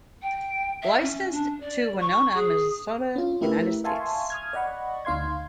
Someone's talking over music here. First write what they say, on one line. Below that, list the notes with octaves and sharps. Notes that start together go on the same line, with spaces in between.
Licensed to Winona, Minnesota, United States.
G5
E5
C#4
D4
D5
C#6
G#4
C#4 F4
A3 E4 G4 A#4 B4 E5
E5 F5 G#5 A5 C6 C#6
D#6 F6 G#6
D5 D#5 F#5 B5 C#6
D2 D#4 F5 C6 G#6